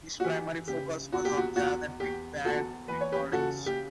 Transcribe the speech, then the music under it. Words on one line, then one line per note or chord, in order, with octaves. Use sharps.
His primary focus was on jazz and big band recordings.
F#4
E3 G4
C#3 G4
E2 F#4
G4
F#4
E2 F#4
E2 G4
E2 F#4 A4
E3 B4
C#5
G4 B4
C#3 F#4 A4
G4